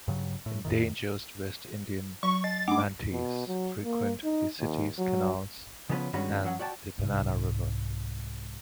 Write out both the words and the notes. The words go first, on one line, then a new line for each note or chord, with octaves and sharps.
Endangered West Indian manatees frequent the city's canals and the Banana River.
G2 C#3 F#3
A2
F2 A2 D#3
F#3 C#6
D#5 A6
A3 D4 D6
B2
F#3
A#3
D#4
D#2
F#3
C#3 F3 B3 C#4 B4
G2 D#3 G#3 C#4 F#4 B5
F3 F#3 C#4 F#5
F#4 D5 G5 A5
C2 G#2